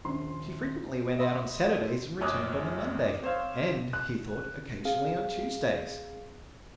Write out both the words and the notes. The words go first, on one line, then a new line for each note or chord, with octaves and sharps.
She frequently went out on Saturdays and returned on the Monday and, he thought, occasionally on Tuesdays.
D#1 A#1 C#4 C6
D#5 E5 B5 C6
F1 F#2 C#5 D6 D#6 F#6
C4 C5 C#5 F5
F#6
C4 G#4 F5